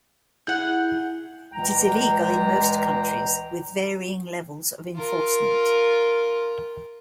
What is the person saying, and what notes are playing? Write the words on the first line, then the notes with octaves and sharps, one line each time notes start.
It is illegal in most countries with varying levels of enforcement.
E4 G#4 F#5 G6
C#2 A#2 E3 G#3 G5 A#5
F4 A#4